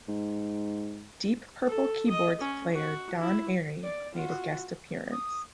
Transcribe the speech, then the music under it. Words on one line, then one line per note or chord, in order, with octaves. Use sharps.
Deep Purple keyboards player Don Airey made a guest appearance.
G#2
A4
D#5
C#4
F#4
E4
D5
F4 F#4
D#6